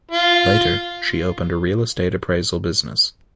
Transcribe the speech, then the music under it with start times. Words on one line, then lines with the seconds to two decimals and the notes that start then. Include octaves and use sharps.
Later, she opened a real estate appraisal business.
0.11 F4